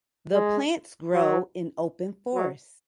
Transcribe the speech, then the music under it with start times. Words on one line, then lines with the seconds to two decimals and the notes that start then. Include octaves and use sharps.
The plants grow in open forests.
0.33 G#3
1.14 F#3
2.35 F#3